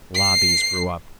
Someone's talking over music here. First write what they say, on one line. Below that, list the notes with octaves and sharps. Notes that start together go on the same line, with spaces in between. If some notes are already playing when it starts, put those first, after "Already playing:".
Lobbies grew up.
C7